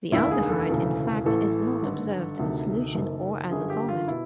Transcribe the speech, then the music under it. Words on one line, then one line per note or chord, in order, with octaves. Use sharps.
The aldehyde in fact is not observed in solution or as a solid.
F1 D#2 D3 E4
G#4
A4
E1 D2 C#3 E3
A1 A2 E3 A4
G#1 G2 D3
D2 C3 D#3
F#1 F#2 D#3
G1 F#2 D3 G#4
G4
F4
B2 E4